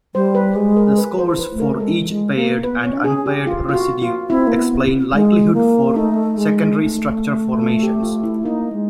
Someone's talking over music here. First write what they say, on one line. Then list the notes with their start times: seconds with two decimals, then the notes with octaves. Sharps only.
The scores for each paired and unpaired residue explain likelihood for secondary structure formations.
0.15 G3 C5
0.35 B4
0.56 G#3
0.77 A#4
0.98 B4
1.18 C5
1.39 B4
1.53 A3
1.60 A#4
1.76 A3
1.80 G#3 A4
2.08 G#3
2.35 A#3
2.63 B3 B4
2.84 C#5
2.91 C#4
2.98 D4
3.04 C#4 G#4
3.26 G4
3.47 F4
3.69 F4
3.74 F#4
4.02 F4
4.30 C4 E4
4.47 A#3
4.57 B3
5.13 G#3
5.54 A#3
5.95 A3 D#4
6.37 G#3
6.79 A3
7.61 F4
7.83 G4
8.03 F4
8.24 E4
8.44 A#3 D#4
8.73 G#3